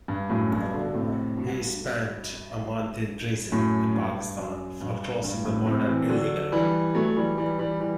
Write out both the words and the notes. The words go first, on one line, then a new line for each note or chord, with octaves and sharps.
He spent a month in prison in Pakistan for crossing the border illegally.
G2
F#2 A2
G2 B2
B2 D3
A2 C3
G2 B2
F#2 A2
G2
F#2
G2
G2
F#2 A2
A2 C3
C3 E3
D3 F#3
E3 G3
F#3 A3
E3 G3
E3 G3
E3 G3
E3 G3